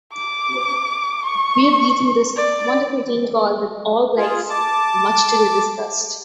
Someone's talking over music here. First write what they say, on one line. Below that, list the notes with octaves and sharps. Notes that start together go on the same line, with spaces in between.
We'd beaten this wonderful team called the All Blacks, much to their disgust.
D6
C#6
D5
F4 G#4
A5 D6